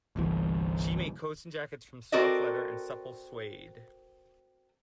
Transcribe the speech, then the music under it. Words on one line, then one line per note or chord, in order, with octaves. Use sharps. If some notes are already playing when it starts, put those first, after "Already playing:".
She made coats and jackets from soft leather and supple suede.
G1 C2 E3
C4 F#4 A4 A#4 D5 D#5